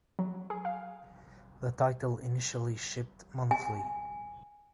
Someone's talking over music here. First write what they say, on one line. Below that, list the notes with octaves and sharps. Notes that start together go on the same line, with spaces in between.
The title initially shipped monthly.
F#3
G#4
F5
G#5